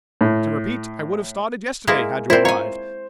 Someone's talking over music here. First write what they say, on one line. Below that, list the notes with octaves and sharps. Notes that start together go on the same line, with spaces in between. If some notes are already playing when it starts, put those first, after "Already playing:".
To repeat, I would have started yesterday, had you arrived.
A2
G#3 A#3 E4
C4 E4 F4 A#4 C5 D5
C#5 F5 G#5 A#5